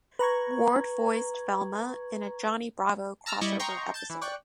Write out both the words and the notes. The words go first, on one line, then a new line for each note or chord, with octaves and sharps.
Ward voiced Velma in a Johnny Bravo crossover episode.
B4 A#5 C#6 G#6
A5 A#5 E6 F6
G3 E4 D5 D#5 C#6 G6
D#5 G5 A#5 C6 C#6
A5 G6 A6
E3 E4
D5 G5 C#6 F#6